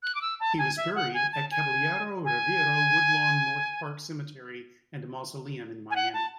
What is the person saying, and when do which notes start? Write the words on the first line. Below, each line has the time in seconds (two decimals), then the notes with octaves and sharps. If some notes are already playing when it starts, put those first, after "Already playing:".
He was buried at Caballero Rivero Woodlawn North Park Cemetery and Mausoleum in Miami.
0.03 F#6
0.15 D6
0.21 E6
0.40 A5
0.58 G#5
0.77 E5
0.95 F#5
1.14 G#5
1.33 A5
1.51 G#5
2.25 G#5
5.91 G#5
5.96 F#5
6.14 A5